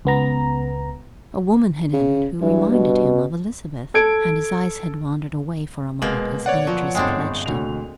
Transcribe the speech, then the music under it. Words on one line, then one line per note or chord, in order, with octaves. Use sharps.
A woman had entered who reminded him of Elizabeth, and his eyes had wandered away for a moment as Beatrice pledged him.
C#2 B3 A#5
C#3
G2 E3
B2
A4 G#6 D7
D#1 B2 G#3 A#3 F#7
G3 C#5 D5 F#5
D3 F3 F#3
G1 G#2 G#3 C4 D4 G5
D2 B2 F7